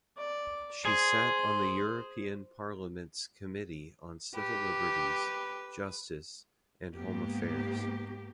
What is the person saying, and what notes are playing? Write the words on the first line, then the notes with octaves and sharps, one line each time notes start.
She sat on the European Parliament's Committee on Civil Liberties, Justice and Home Affairs.
D5
G#4 C5
G4 B4
G#2 A#3 B3 G4